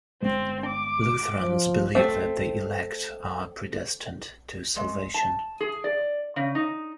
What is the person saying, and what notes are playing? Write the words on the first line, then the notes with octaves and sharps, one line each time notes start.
Lutherans believe that the elect are predestined to salvation.
G1 G#3 C4
D6
F3
A3 C4
G#3
A5
G#4
D5
C#3
D#4